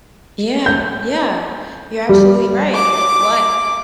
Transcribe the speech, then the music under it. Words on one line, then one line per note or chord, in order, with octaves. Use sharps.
Yeah. Yeah. You're absolutely right. Like, what
G6
G3
D6